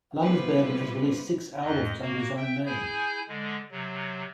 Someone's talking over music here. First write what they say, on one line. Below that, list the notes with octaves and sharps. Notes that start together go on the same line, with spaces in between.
Landesbergen has released six albums under his own name.
G3 B3 E4 F4 B4 C5
F2 D#5
A#3 F#4
E5 G5
E4 G#4 G#5 G6
D3 G#3
C3 F#3